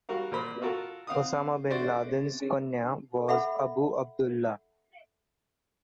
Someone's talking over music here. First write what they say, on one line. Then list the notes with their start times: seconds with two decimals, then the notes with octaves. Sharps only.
Usamah bin Ladin's Kunya was "Abu Abdullah".
0.09 G3 F#4 A#4 F5
0.32 A#2 A#4 C5 B5
0.62 F4 F#4 A4 A#4
1.07 C4 F5 F#5 D#6
1.71 F#4 C5 D5 E5
3.28 A4 E5 F#5 B5